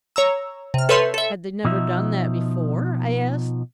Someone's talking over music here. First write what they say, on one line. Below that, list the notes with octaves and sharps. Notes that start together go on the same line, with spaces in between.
"Had they never done that before?" I asked.
C#5 A#5 E6
C3 F6
A4 B4 C#5 E5 C6 G6
A4 E5
B2 F3 D#4 E5